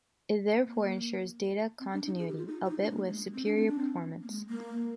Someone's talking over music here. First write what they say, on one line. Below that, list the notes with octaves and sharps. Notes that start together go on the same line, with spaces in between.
It therefore ensures data continuity, albeit with superior performance.
A#3
C4
D4
D#4
G#4
G4
F4
D#4
F4
D#4
D4
G#3
A#3
G#3
C4
D4
C4
D4
C4
A#3
G#3
A#3